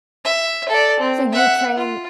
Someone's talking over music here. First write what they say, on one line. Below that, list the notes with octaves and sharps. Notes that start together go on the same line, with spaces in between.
So, you train
E5
A4 D5
C4
E5 F#5
F4